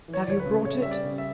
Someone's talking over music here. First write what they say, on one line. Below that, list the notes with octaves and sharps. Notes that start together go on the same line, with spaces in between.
"Have you brought it?"
E3
C#5
D5
D2 C#5
B4
C#3
C#3 C#5
G3 E5
D5
C#3
E5